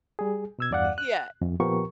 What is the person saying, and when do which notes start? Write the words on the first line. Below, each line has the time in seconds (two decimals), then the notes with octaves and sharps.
Y yeah.
0.19 G3 G#4
0.59 B2 E6 G#6
0.71 E2 G2 D5 F5 F#5 F#6
0.98 F#6
1.42 F2
1.60 A#2 F3 B3 G4 A#4 C#6